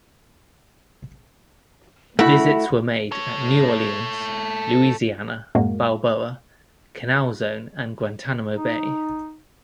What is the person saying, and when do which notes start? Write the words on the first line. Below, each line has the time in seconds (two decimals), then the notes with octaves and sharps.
Visits were made at New Orleans, Louisiana, Balboa, Canal Zone, and Guantanamo Bay.
2.19 A3 E4 F#4 B5
3.12 A4 C#5
5.55 F#2 A2 G#3 A#3 F#4
8.55 D#4